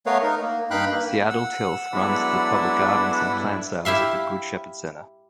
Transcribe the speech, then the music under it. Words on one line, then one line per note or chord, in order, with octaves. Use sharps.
Seattle Tilth runs the public gardens and plant sales at the Good Shepherd Center.
A3 B3 A#4 B4 C#5 F5
D#4 A#4
A#3
G2 D#4 F5 G5 B5 F#6
A#3
F#5 E6
F#3 G#3 B3 D4 E4 A4 B4
G2 E4
E4 G4 E5 F5